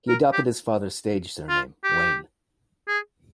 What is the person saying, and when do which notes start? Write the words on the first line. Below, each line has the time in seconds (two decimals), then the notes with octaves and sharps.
He adopted his father's stage surname, Wayne.
0.09 A#4
0.33 G4
1.49 F4
1.84 G4
2.88 G#4